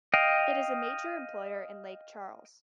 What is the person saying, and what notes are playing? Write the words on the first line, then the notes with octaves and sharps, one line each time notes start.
It is a major employer in Lake Charles.
D#5 F5 G5